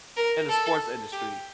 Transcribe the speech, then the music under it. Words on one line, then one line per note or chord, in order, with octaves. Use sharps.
in the sports industry.
A#4
A4
G4